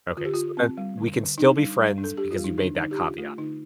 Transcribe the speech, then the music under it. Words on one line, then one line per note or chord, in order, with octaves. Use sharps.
Okay, so then, we can still be friends because you made that caveat.
D3 F4
G4
D3 F4
C4
G3
D3
D3
D4 D#4
G3
G3
D4
A4
D4 G4
F4
G3
D#4
D3 D4
D3 D#4
G4
D4 F4
A3 F4
D3 D#4